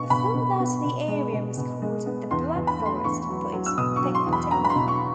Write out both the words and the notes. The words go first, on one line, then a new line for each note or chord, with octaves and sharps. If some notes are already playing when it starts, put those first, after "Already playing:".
Before that the area was called the "Black Forest" for its thick timber.
Already playing: B2 B3 C#6
B2 B5
B2
B3
B2
G#3
B2
B2
G#3
B3
E2 C6
E2
B5
A3
C6
E2 C#6
F#3
F#3
E6
B2 D#6
C#6
F#3
C6
E2
B5
F#3 A#5
B5
C6
B2
C#6